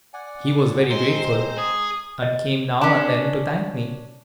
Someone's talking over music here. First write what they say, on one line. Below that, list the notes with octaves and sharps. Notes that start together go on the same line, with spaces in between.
He was very grateful, and came now and then to thank me.
D5 F#5 G#5
G#3 C4 C5 A#5
G#4 D#6
D#5
C#4 D4